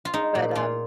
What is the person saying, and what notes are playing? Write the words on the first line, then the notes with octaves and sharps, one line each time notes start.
but, um
F4
G#3 D#4
A#2
A#2 F4